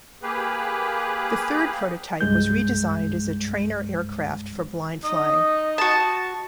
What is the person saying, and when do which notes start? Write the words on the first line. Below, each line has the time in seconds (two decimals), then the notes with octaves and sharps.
The third prototype was re-designed as a trainer aircraft for blind flying.
0.22 A#3 G4 G#4 B4
2.21 C2 G2 G#3 G6
5.04 D#4
5.78 F#4 A5